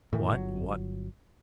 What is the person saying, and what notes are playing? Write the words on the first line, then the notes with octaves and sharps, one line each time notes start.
What, what!
A2 D#3 E3
G1 F#3